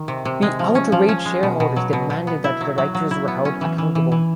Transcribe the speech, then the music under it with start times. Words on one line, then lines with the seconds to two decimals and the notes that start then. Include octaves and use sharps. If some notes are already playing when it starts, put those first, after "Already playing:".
The outraged shareholders demanded that the directors were held accountable.
Already playing: D#3
0.08 C3
0.25 C3
0.42 G#3
0.59 F3
0.75 C#4
0.92 F3
1.09 C#4
1.25 G#3
1.43 B2
1.60 B2
1.76 F#3
1.93 B2
2.10 B2
2.27 B3
2.44 E4
2.61 F#3
2.78 F#3
2.95 F#3
3.11 E4
3.28 B3
3.45 C#4
3.61 E3
3.78 E3
3.95 E3
4.12 E3